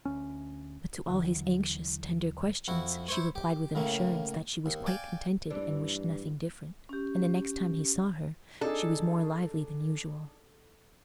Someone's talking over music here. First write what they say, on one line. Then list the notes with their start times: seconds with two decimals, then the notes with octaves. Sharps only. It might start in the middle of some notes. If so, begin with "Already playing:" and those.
But to all his anxious, tender questions, she replied with an assurance that she was quite contented and wished nothing different; and the next time he saw her she was more lively than usual.
0.05 D2 C#4
1.08 D#2 D3 E3 F#3
2.68 F2 E4 F#4
3.08 E4 C5 C#5
3.35 G4
3.75 A2 C#3 A3 A#3
4.66 D#2
4.86 D5 F5 G5 G#5
5.50 G2 E3 D4
6.89 C#4 G4
8.61 D4 D#4 G#4 A4